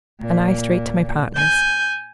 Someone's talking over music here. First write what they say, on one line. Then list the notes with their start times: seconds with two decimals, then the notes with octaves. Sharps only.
"And I straight to my partner's."
0.21 A#2
1.35 G#5 G6